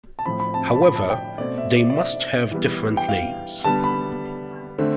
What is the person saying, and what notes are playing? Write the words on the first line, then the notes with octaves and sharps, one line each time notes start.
However, they must have different names.
A5
A2 F3 C4 B5
B5
A5
B5
A5
B5
A5
G5
B2 A3 C4 D5
E5
D5
D5
E5
E3 G3 B3
G5
F5
D3 G3 B3 A5
B5
D3 A3 C4